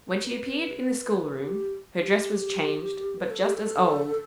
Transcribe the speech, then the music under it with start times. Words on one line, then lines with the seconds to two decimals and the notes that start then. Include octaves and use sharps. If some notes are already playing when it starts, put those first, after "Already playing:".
When she appeared in the schoolroom, her dress was changed, but just as old.
0.22 B4
1.41 G4
1.99 G4
3.19 B4
3.30 A4
3.41 G4
3.53 A4